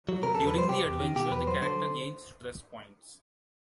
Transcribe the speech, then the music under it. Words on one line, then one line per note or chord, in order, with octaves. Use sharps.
During the adventure, the character gains stress points.
F#3
C3 A#4
A4
E2
B4
F3 C5
C3 G4
E2
D#3
B2 G4
E2 B4
F#3 C5
D3 C5